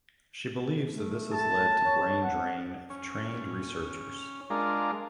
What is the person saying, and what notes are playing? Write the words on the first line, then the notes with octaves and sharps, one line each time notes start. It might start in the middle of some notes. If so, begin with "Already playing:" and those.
She believes that this has led to brain drain of trained researchers.
A3
A5
C#5
F#5
C#4
G#3 D4 F4 A#4